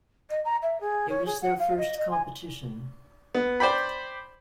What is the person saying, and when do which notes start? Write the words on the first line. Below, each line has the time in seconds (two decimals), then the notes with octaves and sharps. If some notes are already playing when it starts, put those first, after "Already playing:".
It was their first competition.
0.30 D#5
0.45 A#5
0.62 E5
0.80 G#4
1.09 C#5
1.26 G#4
1.42 F#5
1.59 F5
1.78 D#5
1.97 D#5
2.10 G#5
3.35 B3
3.60 C5 D5 G5 B5